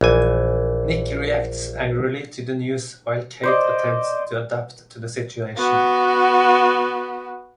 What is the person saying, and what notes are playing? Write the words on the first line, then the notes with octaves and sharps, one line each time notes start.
Nick reacts angrily to the news, while Kate attempts to adapt to the situation.
A#1 E3 G#5
C5 D5 D#5
B3 F#4